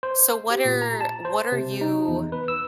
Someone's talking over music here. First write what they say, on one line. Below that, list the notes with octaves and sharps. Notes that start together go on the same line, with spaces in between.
So, what are what are you
C5
G4
A#2
A#5
A5
C5
C3
D#4
E2
B4
E6